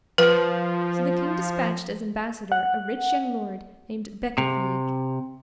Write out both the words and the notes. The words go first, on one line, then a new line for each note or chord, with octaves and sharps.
So the King despatched as ambassador a rich young lord named Becafigue.
F3 B4
F#5
C3